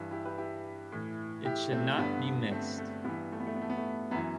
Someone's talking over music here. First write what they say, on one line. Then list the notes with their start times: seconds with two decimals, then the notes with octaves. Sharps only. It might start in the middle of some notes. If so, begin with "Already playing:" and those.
It should not be missed.
Already playing: G2 E3
0.11 E4 G4
0.25 G4 B4
0.38 E4 G4
0.92 A2 E3
1.45 E4 G4
1.72 A3 C4
1.98 G2 D3 B3
2.51 A3 C4
2.78 A3
3.04 G2 B3
3.09 E3
3.32 A3
3.40 B3
3.47 A3
3.55 B3
3.62 A3
3.70 B3
3.77 A3
4.11 F#2 E3 B3